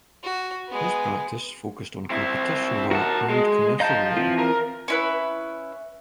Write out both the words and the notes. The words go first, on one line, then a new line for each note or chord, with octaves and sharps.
His practice focused on competition law and commercial law.
F#4
G#3 B3
C4 E4
F#4 A#4 F#5 A5
G#3
D#5 F5 A5 A#5 G6
E3 C4 F4
A#4
C#4 E4 B4